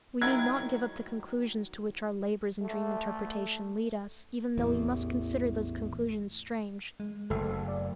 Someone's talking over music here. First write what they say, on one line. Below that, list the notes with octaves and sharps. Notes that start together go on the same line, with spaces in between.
We need not give up the conclusions to which our labors in dream interpretation lead us even though we must consider those conclusions strange.
D#3 F#3 E4 G#6
A3
A1 E2
G#3
F#1 A3 A4
D5